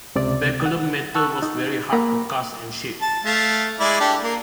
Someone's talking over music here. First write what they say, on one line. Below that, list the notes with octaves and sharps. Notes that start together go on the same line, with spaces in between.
Speculum metal was very hard to cast and shape.
C#2 C3 D5
F#5
F#5 A5 C#6 E6 F#6
D#4
A#3 A#5 B5
A5
A3 F5
G#3 E4 D5
D4 G4 A4
A#3